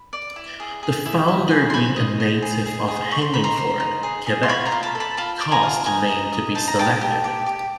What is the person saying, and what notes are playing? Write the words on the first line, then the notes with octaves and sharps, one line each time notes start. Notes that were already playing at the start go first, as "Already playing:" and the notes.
The founder being a native of Hemmingford, Quebec, caused the name to be selected.
Already playing: B5
D5
E4
G#4
G#4
E4
E4
G#4
C6
C5 B5 C#6
D#5
C5
G#4
G#4
G#4
C5 C#6
C6
D#4 B5
A#5 C6
C5
D#4
G#4
G#4
C6
F4 B5 C#6
A#5 C6
F4
A5 B5
A4
A5 B5
F4 A5 B5
D5
G#5 A#5
F4
D#5 G#5 A#5
D#5
D#5
C5 A5
A#5
D#5 G5 A5
G4
G4
G4